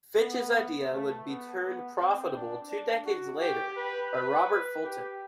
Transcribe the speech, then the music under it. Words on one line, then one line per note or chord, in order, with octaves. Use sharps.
Fitch's idea would be turned profitable two decades later by Robert Fulton.
B3
A3
B3
B3
C4
D4
D4
F#4
G4
B4
B4
G4